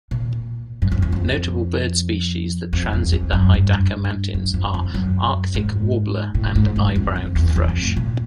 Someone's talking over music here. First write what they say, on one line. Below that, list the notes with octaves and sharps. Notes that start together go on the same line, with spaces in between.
Notable bird species that transit the Hidaka mountains are Arctic warbler and eyebrowed thrush.
A#2
F#2
F2
E2
F2
F2
E2
F2
F#2
G2
F#2
F2
F2
F#2
G#2
A2
G#2
G2
F2
F2
E2
F2
F2
A2
A#2